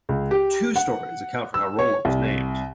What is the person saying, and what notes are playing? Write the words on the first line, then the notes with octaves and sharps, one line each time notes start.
Two stories account for how Rolla was named.
C#2
G4
F#5
E6
C#5
C2